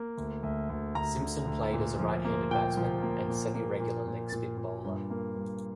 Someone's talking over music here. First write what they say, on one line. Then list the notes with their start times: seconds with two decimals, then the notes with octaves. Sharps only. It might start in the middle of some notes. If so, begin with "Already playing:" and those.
Simpson played as a right-handed batsman and semi-regular leg spin bowler.
Already playing: A#3
0.18 D2
0.43 D2
0.70 D2
0.95 D2 A#5
1.22 D3
1.47 D2
1.73 A#2
1.99 F3
2.25 A#3
2.51 A#2 G5
2.77 F3
3.02 A#3
3.29 A#2
3.55 A#3
3.80 A#2
4.07 A#2
4.32 A#2
4.58 A#2
4.85 G2
5.10 A#3
5.36 G2